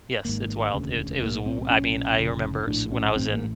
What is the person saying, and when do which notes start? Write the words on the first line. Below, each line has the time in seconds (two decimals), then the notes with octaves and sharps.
Yes. It's wild. It it was w I mean, I remember s when I was in,
0.25 G#1 G#2 A#3
0.73 E1 D2 C#3
1.22 B1 A2 A#3
1.46 C4
1.62 C4
1.70 B1 A#2 C#4
2.18 F1 D#2 C#3
2.67 A#1 A2 D4
2.92 C#4
3.15 A1 A2 C4
3.32 A#3